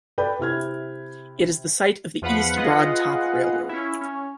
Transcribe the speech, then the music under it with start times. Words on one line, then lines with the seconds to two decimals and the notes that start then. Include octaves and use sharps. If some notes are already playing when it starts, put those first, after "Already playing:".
It is the site of the East Broad Top Railroad.
0.18 A4 B4 D5 G5 B5 G6
0.39 C3 E4 F6 G#6
2.22 E2 F3 B4 F5 F#5 B5
2.56 F4 G#4 B4 D#5 F5 F#5
3.69 C#4 E4
4.01 C#4